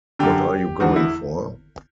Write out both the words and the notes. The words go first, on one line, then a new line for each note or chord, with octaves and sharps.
What are you going for?
F#2 D3 G4
E2 D3 F#4
E4